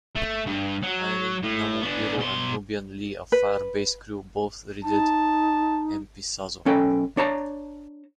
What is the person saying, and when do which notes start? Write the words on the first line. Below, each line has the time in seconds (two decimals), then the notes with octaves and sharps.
Iryn Namubiru and Nubian Lee of Fire Base Crew both re-did "Empisazo".
0.16 A3
0.46 G2
0.83 F#3
1.43 A2
1.82 B3 D4
2.18 B2 C6
3.32 B4
4.85 D#4 A5
6.65 B1 C#4 A4 G5
7.17 D4 C#5 A5 A#5